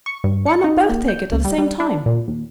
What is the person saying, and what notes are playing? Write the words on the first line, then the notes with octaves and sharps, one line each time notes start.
"Why not both take it at the same time?"
C#6
G2
C#7
D#4
A#3
G6
C#2
G3
G3
D4
A#2
D#2